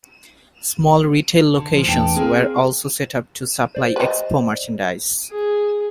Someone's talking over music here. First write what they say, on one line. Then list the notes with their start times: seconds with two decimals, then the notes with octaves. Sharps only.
Small retail locations were also set up to supply Expo merchandise.
1.54 D3
1.73 A#2 F3
1.87 E2 A3 D4 G5
2.16 A#3 C4 G#4
3.75 C5 D5
3.96 B4 D#5
5.31 G#4